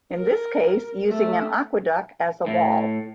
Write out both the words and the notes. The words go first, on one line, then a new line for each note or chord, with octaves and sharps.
In this case using an aqueduct as a wall.
A#4
A3
A2